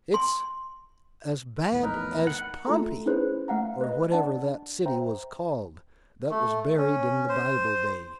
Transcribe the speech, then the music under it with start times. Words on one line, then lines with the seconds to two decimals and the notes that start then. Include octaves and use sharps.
"It's as bad as Pompey, or whatever that city was called that was buried in the Bible days."
0.14 C6
1.72 A#1 E2 A2
1.83 D#4 A#4 B4
2.27 F#5
2.66 A3 F4 A4 A#5
3.06 C#4 D#4 E4 G#4 B4 C5
3.48 A3 F5 F#5 A#5
3.81 B4 D#5
4.12 D4 D5 F#5 A5
4.86 C5 E5 G5 A#5
6.31 A3
6.77 C#4
7.29 C5